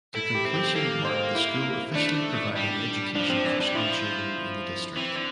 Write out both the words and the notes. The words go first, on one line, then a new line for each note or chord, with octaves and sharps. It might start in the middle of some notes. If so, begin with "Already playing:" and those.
The completion marked the school officially providing education for school children in the district.
E4 A4
G4
C4
G4
A#3 A4
C5
E4
A3 D4
G3
F3 D4
F3 C4
E3 D4
G3 D4
F3 E4
E3 C4
D3